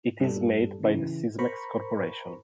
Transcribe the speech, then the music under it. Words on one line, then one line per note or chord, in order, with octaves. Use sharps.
It is made by the Sysmex Corporation.
G2 G3 A4
C#3 E3
A#4 C5 A#5 B5 C#6